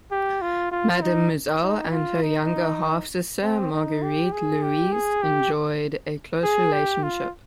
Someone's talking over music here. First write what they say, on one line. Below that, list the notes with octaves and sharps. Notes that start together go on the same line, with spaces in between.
Mademoiselle and her younger half sister Marguerite Louise enjoyed a close relationship.
G4
F4
F4
D#4
D#4
F4
D#4
C4
D#4
G4
G#4
G4
G#4
G4
G#4
G4
F4